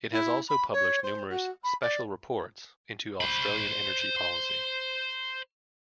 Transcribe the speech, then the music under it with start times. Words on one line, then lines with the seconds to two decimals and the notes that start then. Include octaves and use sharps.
It has also published numerous "special reports" into Australian energy policy.
0.12 E4
0.49 B5
0.73 C#5
1.03 C5
1.29 F#4
1.64 B5
1.81 D5
3.21 C5 B5